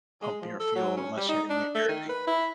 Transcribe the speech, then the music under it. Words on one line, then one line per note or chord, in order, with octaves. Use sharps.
pump your fuel, unless you're in New Jersey.
G#3
F3
A4
F#3
C#4
G3
D#4
D4
A3
D#3
B4
E4